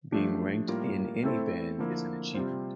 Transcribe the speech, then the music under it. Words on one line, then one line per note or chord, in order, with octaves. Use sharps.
Being ranked in any band is an achievement.
F3 A3 D4 G4
A2 G3 A#3 F4 A#4
A3 C4 E4 A4 C5
D3 F3 A#3 E4
C3 G3 C4 F4 C5